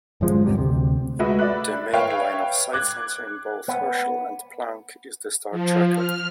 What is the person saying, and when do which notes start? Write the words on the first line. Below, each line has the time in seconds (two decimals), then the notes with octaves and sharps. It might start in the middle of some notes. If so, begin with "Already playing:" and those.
The main line-of-sight sensor in both "Herschel" and "Planck" is the star tracker.
0.21 G1 F#2 F3 G#3
0.46 D1 F#2 C3 G3
0.57 D2 C3
1.19 G#3 A3 F#4 B4 D#5 E5
1.39 D5 E5 B5 F#6
1.93 B4 C#5 E5 F5 G5
2.73 D6 F#6 G#6
3.68 B3
5.51 F3
5.94 F6